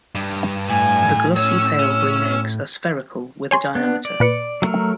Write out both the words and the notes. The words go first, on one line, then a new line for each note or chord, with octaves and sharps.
The glossy pale green eggs are spherical with a diameter.
G2
A2 G#5
C#4 C#5 E6
C#4
C#5 G#5 C6
B3 D4
D5
A#2 B4 C#7
F#3 A3 A#4